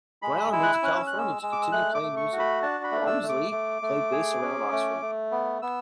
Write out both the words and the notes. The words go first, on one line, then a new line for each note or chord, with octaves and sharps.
Browne moved to California to continue playing music, Walmsley played bass around Oxford.
G#3 B5
E4 E6
F#6
E6
C#4 F#6
E6
F#6
G#3
E6
G#3
D6
E6
A3 F#6
D6
A3
C#6
F#4
B5
D4 A5
B5
A3
E6
A3
D6
A3
A3
G#4
C#4
A3
A3
B3
B3 E6